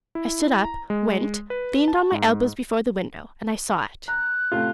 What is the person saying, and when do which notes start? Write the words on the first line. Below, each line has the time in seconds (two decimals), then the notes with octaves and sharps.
I stood up, went, leaned on my elbows before the window, and I saw it.
0.15 E4
0.64 A#5
0.90 G#3
1.50 B4
1.88 A5
2.12 G#2
4.08 A#5 F#6
4.52 A2 C3 F4